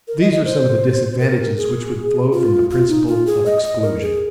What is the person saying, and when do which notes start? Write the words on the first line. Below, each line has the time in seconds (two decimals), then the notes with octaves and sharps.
These are some of the disadvantages which would flow from the principle of exclusion.
0.08 A#4
0.21 D#5
0.32 D#5
0.45 C5
1.20 A#4
1.57 G#4
2.32 F4
2.70 F4
2.89 D#4
3.08 F4
3.27 G#4
3.46 D#5
3.64 D#5
3.82 A#4
4.01 G#4